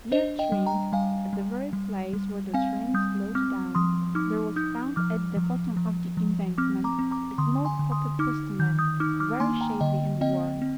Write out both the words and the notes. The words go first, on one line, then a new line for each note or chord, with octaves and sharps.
Near Tring, at the very place where the train slowed down, there was found at the bottom of the embankment a small pocket Testament, very shabby and worn.
D4 C5 D#5
D#5 G5
G3
G5 A#5
G3 F5 G#5
G3
G3
G3
C4 F5 G#5
G3 D#6 G6
C4 D6 F6
F3 C6 D#6
D#4 D6 F6
D#4 D#6 G6
F3 D6 F6
F3
F3
F3
C4 D6 F6
A#5 D6
C4
A#5 D6
D3 C6 D#6
G#5 C6
D3
C6 D#6
D#4 D6 F6
D#3 G6
D#6 G6
D#4 D6 F6
D6 F6
A#3 G#5 C6
G5 A#5
D3 D#5 G5
C4 D#5 G5
C4